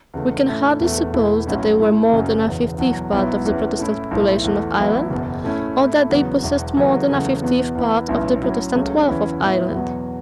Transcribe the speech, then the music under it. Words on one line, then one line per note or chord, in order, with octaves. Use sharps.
We can hardly suppose that they were more than a fiftieth part of the Protestant population of Ireland, or that they possessed more than a fiftieth part of the Protestant wealth of Ireland.
E2 C#3 A3
A2 E3 A3 C#4
E1 E2 B2 A3
E1 E2 E3 A3 E4
B1 A2 F#3 C#4 E4
A2 A3 C#4 E4
F#1 F#2 C#3 F#3 C#4
E1 E2 C#3
E2 B2 F#3
B1 B2 F#3 B3 E4
E1 E2 E3 C#4
A2 A3 C#4 E4
B1 A2 A3 E4
E2 E3 A3
A1 A2 F#3 B3 E4
F#1 E2 B2
A2 A3 C#4 E4
A2 A3 E4
E2 C#3 F#3 B3
E1 E2 E3
E2 C#3 F#3 A3
E2 C#3 F#3 A3 C#4
E2 B2 B3
E2 E3 B3 E4
B1 A2 E3 C#4 E4
A2 F#3 C#4 E4
C#2 C#3 F#3 A3 C#4
E2 E3 C#4 E4
A2 E3 B3 E4
E2 B2 F#3